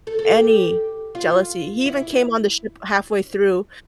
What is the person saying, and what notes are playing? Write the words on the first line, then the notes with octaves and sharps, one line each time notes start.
any jealousy, he even came on the ship halfway through
A4
A4
G4
F4
E4